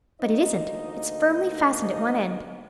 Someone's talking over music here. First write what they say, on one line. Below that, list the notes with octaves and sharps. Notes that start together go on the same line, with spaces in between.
But it isn't--it's firmly fastened at one end.
D2 A#3 D#4 C5 D#5